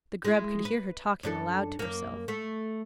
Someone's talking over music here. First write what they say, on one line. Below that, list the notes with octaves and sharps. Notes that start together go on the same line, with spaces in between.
The Grub could hear her talking aloud to herself.
G#3 E4
B4
F#2 D4 A4
F#2 A#3
A3